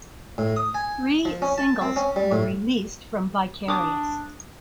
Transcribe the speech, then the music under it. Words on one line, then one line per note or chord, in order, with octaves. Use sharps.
Three singles were released from "Vicarious".
A2
D#6
G#5
F3
C#4
A5
C4
C#4
G3
A2
D4 D6 D#6